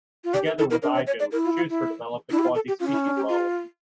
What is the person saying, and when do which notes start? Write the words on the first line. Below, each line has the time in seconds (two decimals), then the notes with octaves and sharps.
Together with Eigen, Schuster developed the quasispecies model.
0.24 F4
0.33 G4 D5
0.46 A#4
0.58 E4 A4
0.70 E4 A#4
0.82 D4 A#4
0.95 C#5
1.07 C#5
1.20 D5
1.32 E4 A#4
1.44 F4
1.56 F4
1.70 E4
2.31 D4 E4
2.39 G4
2.43 F4
2.55 A4
2.68 G4
2.80 C#4 F4
2.92 E4
3.05 D4
3.16 G4
3.29 F4